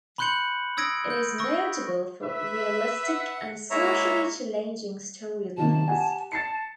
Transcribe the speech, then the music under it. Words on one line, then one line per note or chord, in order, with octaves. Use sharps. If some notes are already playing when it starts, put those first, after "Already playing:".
It is notable for realistic and socially challenging storylines.
B5 C6 F#6 G6 C#7 F#7
D#6 E6 G#6 A#6 D7
G6
C#6 E6 A#6
B4 E5
F#5
G#3 A#3 E4 C#5 E5 A#5
C3 D#3 A#3 A5
G4 F#5 G#5
A5 A6 C7 C#7